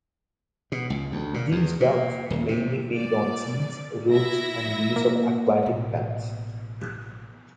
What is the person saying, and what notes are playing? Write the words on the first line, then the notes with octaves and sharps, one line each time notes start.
These ducks mainly feed on seeds, roots, and leaves of aquatic plants.
B2
C#2
D2
A#2
E2
A#2
D#1
C3
D5
E4 E5 A#6
A#3
A1 B2